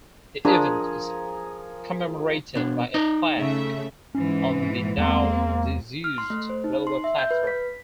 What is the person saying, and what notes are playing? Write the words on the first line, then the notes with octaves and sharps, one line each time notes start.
The event is commemorated by a plaque on the now disused railway platform.
F3 D4 G#4 A#4
B2 D4
D#4 D5 D#5
C#3 A3 E5
G#2 E3 C#4
E2 G#3 A#3 C4
F6
C6
A3
C5
D#4
C6
E5
G6
B4
B6